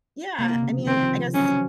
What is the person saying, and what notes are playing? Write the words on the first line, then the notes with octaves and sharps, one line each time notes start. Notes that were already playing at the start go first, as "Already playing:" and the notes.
yeah, I mean, I guess
C3 A#3
C3
C#3
F3
D#3 C4
F3
F3
F#3 C#4